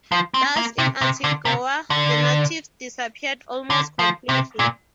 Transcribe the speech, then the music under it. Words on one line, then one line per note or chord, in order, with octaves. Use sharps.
Thus, in Antioquia, the natives disappeared almost completely.
F3
C4
A#3
C3
C3
D3
C3
D3
D3
F3
C3
A#2